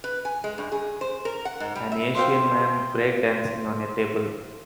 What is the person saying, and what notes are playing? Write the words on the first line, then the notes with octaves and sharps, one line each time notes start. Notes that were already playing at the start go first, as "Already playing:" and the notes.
An Asian man breakdancing on a table.
B4
G#5
G#3
G2
G#4
C5
A#4
F#5
G#2
G3
E5
C5 E5 F5 G5